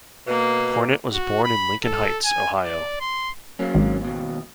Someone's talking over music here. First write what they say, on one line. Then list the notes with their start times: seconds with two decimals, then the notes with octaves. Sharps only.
Cornett was born in Lincoln Heights, Ohio.
0.27 B2 A#3
1.13 F#4
1.44 B5
1.83 A4
2.24 G#5
2.64 D5
3.01 C6
3.59 F#3 A#3 C#4
3.75 G#1
4.01 D#2 B2